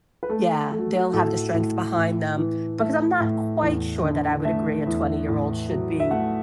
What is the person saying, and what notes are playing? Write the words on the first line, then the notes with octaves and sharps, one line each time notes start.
yeah, they'll have the strength behind them because I'm not quite sure that I would agree a twenty-year-old should be
B4
A3 A4
A3 A4
F#4
F#4
A2 A4
A2
A2
E3
A3 E5
A2
E2
D3
A3 E5
E2
A2
F#3
E5
A3 F#5